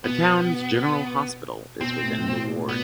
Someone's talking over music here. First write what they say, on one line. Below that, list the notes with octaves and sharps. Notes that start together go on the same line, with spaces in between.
The town's General Hospital is within the ward.
B2 B3
B2 C4
A2
B2
A#2
B2 B3